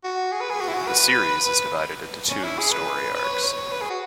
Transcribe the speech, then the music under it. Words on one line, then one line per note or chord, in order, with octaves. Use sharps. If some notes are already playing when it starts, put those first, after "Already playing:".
The series is divided into two story arcs.
F#4
G#4
B4
G#4
F#4
E4
F#4
B4
B4
C#4
E4
G#4
B4
B4
C#5
B4
C#5
B4
G#4
F#4